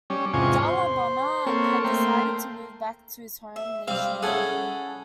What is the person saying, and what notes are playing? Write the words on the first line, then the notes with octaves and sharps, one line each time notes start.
Dalla Bona had decided to move back to his home nation of Italy.
G3 C#4
E2 G#2 C3 F4 G#5 C#6
C5
A#3 C4 A4 C#5
A3 A#3 G5 C6
E5
G3 C4 F5
C#4 E4 G#4 A4 F#5